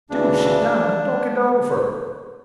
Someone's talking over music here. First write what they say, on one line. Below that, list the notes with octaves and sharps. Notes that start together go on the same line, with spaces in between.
Do sit down and talk it over.
D2 C#3 E3 D4